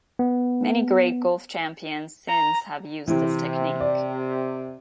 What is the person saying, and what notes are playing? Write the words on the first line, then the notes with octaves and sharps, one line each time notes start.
Many great golf champions since have used this technique.
B3
A#5
C3 E3
D5